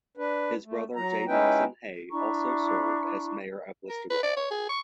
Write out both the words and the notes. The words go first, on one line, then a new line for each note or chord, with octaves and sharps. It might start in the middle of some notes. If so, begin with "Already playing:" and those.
His brother J. Nelson Hay also served as mayor of Listowel.
D4 B4
A3
F#3 A#5
G#3 C#4 D#4 E4 B4 G5
D4 E4 A#5 C#6
A#4
B4
D5
C#5
G#4
C#6